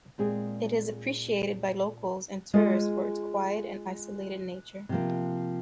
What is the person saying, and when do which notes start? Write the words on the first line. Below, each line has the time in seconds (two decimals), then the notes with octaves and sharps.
It is appreciated by locals and tourists for its quiet and isolated nature.
0.18 A#2 G#3 C4 G#4
2.54 G#3 F4 G#4 D#5
4.89 C3 F3 A#3